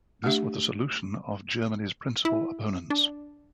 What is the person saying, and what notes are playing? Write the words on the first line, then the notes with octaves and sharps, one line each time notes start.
This was the solution of Germany's principal opponents.
A3 D4 G4 E5
E4
D4